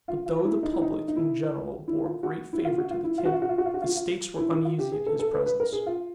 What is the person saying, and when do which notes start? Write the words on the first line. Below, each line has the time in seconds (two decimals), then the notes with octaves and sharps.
But though the public in general bore great favor to the king, the states were uneasy at his presence.
0.08 F4
0.26 F4
0.45 E4
0.63 D#4
0.73 E4
0.82 D#4
1.08 D#4
1.16 E4
1.88 E4
2.06 F4
2.23 F#4
2.53 E4
2.65 F4
2.78 F#4
2.91 F4
3.04 E4
3.18 F4
3.25 F#4
3.34 F4
3.42 F#4
3.49 F4
3.58 F#4
3.66 F4
3.74 F#4
3.82 F4
3.89 F#4
3.97 F4
4.39 E4
4.51 E4
4.65 F4
4.79 G4
4.92 G#4
5.06 A4
5.19 A4
5.33 B4
5.46 B4
5.60 A#4
5.72 G#4
5.86 F4